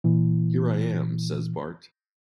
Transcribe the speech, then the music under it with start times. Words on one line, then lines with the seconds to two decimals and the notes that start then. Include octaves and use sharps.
"Here I am," says Bart.
0.04 A#2 E3